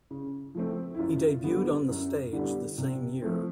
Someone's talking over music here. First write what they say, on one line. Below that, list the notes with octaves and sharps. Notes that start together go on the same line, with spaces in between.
He debuted on the stage the same year.
C#3
F3 A3 C4
E4
F#2 F4
D3 G3 B3
F#2
D3 G3 B3
C3
F3 A3 C4